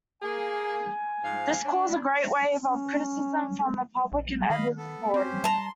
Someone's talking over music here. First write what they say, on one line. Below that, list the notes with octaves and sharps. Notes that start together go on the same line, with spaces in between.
This caused a great wave of criticism from the public and Edward's Court.
A#3 G#4 G#5
G#2 F3 F5
D4
C#4
A#1
D#3 D#5 F5 B5
B3 A4
C4 C#4 G4 C5
G3 A5 A#5 C6